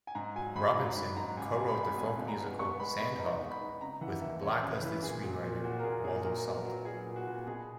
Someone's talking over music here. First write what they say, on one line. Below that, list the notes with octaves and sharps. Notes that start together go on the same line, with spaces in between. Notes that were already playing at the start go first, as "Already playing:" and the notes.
Robinson co-wrote the folk musical "Sandhog" with blacklisted screenwriter Waldo Salt.
G#5
G#2 A#5
F#3 G#5
G#2 B5
F#3 A#5
G#2 B5
G#2 A#5
C#2 G#5
G#3 G#5
B5
G#3
B5
B2 G#5
B2
A#5
B3
B3 C#6
G#3 B5
B3 B5
D#4 A#5
B3
B5
D#4
C#3 A#5
E3 F#5
D#2 E5
C#3 C#5
C#3
B4
E3
A#2 G#4
F#3
A#2
A#2 F#4
A#4
A#2 G#4
A#2 G#4
F#3 A#4
B3
A#4
F#3
F#3 G#4
A#2
F#4
A#2
B2 G#4